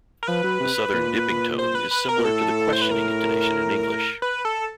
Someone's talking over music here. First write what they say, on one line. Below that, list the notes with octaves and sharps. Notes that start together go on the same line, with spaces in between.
The Southern "dipping" tone is similar to the questioning intonation in English.
A#4
F3 B4
F#3
C3
A#2
C5
B4
B4
A#4
A#2
A2 A4
C5
B4
A#4
B4
A4